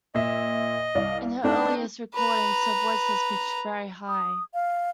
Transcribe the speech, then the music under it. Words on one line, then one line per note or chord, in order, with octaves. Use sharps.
In her earliest recordings her voice was pitched very high.
A#2 D#5 E5
C2 D5 F5
A3 C4 D4 D#4
B4 A#5
D#6
F5